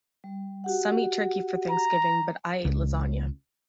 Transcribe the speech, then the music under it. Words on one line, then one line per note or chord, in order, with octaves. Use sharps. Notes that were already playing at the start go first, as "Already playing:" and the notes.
Some eat turkey for Thanksgiving, but I ate lasagna.
G3
F#4 G4 F#5
A#5
C#2